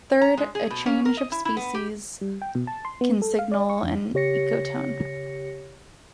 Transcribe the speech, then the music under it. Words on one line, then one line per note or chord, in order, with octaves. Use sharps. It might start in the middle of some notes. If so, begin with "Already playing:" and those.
Third, a change of species can signal an ecotone.
A#5
G#3
G#4
B2
C#4
A#4
D#5
E4
E4
B3
G4
G3
G5
B2
A5
C6
B3
A4
F5
D5
C#6
F2
C#3 G4 C#5 A#6 C#7